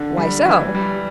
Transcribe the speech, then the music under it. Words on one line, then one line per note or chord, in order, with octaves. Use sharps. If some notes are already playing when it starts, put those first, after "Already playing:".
"Why so?"
Already playing: D3
G3
E3
G3